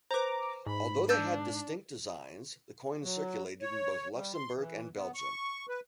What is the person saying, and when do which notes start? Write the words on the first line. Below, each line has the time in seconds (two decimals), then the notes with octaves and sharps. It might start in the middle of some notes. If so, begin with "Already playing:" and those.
Although they had distinct designs, the coins circulated in both Luxembourg and Belgium.
0.11 B4 C5 A#5 D6
0.67 G#2 B5
1.09 D4 E6 G6 A6
3.03 F#3
3.62 C#5
4.14 G3
4.34 C6
4.57 E3
4.96 B3
5.14 C#6
5.69 B4